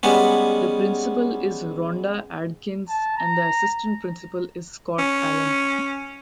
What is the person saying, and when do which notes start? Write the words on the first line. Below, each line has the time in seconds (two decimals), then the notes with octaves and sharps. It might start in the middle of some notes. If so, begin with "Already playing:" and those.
The Principal is Ronda Adkins and the Assistant Principal is Scott Allen.
0.03 G3 G#3 B3 C#4
2.88 A5
3.17 A#5
4.99 C#4